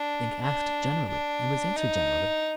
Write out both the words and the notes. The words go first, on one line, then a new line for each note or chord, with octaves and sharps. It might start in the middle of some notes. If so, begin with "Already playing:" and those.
Link asked generally, and was answered generally.
Already playing: D4
D4
D4
D#4